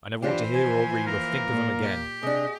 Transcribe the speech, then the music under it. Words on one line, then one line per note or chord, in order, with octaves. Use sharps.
I never want to hear, or read, or think of them again!'
E3 D4 F4 G4 C5
F3 G#5
A#3 A#4
A#2
G4
C3 D4 G#4 D#5